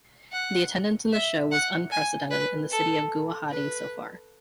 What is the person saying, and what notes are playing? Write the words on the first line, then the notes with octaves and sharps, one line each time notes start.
The attendance in the show was unprecedented in the city of Guwahati so far.
F#5
E5
F#5
G#5
B4
A4
B4